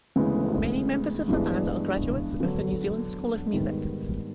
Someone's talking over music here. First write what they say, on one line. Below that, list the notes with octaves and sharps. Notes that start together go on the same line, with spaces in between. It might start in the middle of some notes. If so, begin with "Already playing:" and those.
Many members of the band are graduates of the New Zealand School of Music.
D2 C#3 E3 G#3 B3
G2 E3 G#3 B3 D4
D3 F#3 B3 D4
G#2 D#3 G3 B3